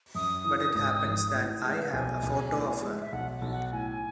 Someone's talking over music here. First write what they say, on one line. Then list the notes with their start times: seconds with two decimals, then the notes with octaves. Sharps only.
But it happens that I have a photo of her.
0.15 F#2 D#6
0.44 E3
0.75 G#1
1.04 G#1
1.34 A2
1.64 G#3
1.77 E5
1.85 F#5
1.93 B1 G#5
2.23 B1
2.53 A2
2.83 G#3
3.01 E5
3.12 B1 F#5
3.42 B1
3.51 F#5
3.72 A2 G#5